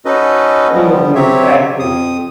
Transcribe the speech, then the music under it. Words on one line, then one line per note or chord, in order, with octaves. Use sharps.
He only tried to.
C#4 D#4 F#4 A4 B4 D#5
F3 G3 B3
F#3 C4 G4 C#5 E5
F2 D#6